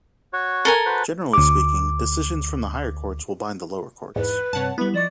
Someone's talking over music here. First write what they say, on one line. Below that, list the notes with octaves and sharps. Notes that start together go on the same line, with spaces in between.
Generally speaking decisions from the higher courts will bind the lower courts.
F#4 C#5
A4 A#4 G#5
F#4 B4 C5
D2 D6
E2 G#2 B4
G2 C3 C#5 F#5 A5
G3 B3 E4 B4
F3 D5 D#5 C#6